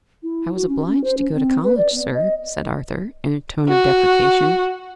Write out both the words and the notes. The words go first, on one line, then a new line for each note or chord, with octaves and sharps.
"I was obliged to go to college, sir," said Arthur, in a tone of deprecation.
E4
F#4
C#4
C#4
C5
C#4
C4
B4
D5
B3
D#5
F#4